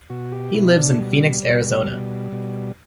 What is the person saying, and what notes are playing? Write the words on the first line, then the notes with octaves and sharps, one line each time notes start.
He lives in Phoenix, Arizona.
B2 F#4
G4
B2 E4
C4
D4
A3
B2 G3
B2
B2
B2